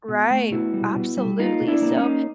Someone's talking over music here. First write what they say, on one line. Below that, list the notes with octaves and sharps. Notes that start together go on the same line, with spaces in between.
Right. Absolutely, so,
B2
A3
B2 E4 F#4
G3
B2
G3
A#3 D#4 F4
B2
D4 E4
A#3
C#4 D#4
A#3